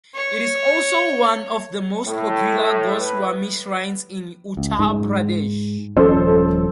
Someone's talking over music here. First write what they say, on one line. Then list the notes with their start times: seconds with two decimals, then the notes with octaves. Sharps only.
It is also one of the most popular Goswami shrines in Uttar Pradesh.
0.14 C#5
2.06 A2
2.99 B4
4.57 C#2
4.79 G#2
5.97 D#1 F3 C#4 A4 C5